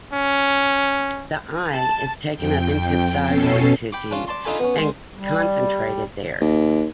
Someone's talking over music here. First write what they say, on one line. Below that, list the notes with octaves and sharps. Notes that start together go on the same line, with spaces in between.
The I is taken up into thyroid tissue and concentrated there.
C#4
A5
F2 G5
B2 C#4 A4 C7
G5 B5 D6
C#4 D4 F4 F5
D5 A5 C6
D4 D#4 F4 A4 G#5 B5
B3 C#4
D#3 G#3 C6
G3
D#2